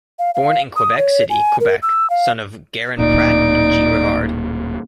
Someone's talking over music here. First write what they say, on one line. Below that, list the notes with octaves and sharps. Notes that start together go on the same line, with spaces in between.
Born in Quebec City, Quebec, son of Garon Pratte and G. Rivard.
F5
F5
D#6
C#5
G#5
A#4
E6
F5
D1 A#2 D#4 D5 D7